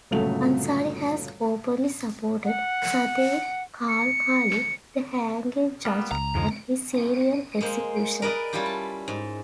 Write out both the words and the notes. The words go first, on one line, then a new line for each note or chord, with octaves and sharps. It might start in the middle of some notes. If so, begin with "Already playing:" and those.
Ansari has openly supported Sadegh Khalkhali, the hanging judge and his serial executions.
G1 A#2 C#3 F#3 A3 F7
F#5
C#7
G3 A#3 B3
C#2 A#5
F2 G#2 D3 F3 G#3
G#3 A#3 C5
A#4 B4 D5 D#5
G3 C#4 E4 F4 G4
A5
G#2